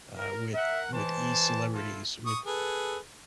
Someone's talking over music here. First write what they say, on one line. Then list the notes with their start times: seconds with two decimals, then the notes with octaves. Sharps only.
uh, with with e-celebrities, with
0.15 A#4
0.54 A#4 E5 F#5
0.92 E3 G#3 C5 A5
1.73 E4 F4 A4
2.26 C#6 D#6
2.46 G#4 A4 B4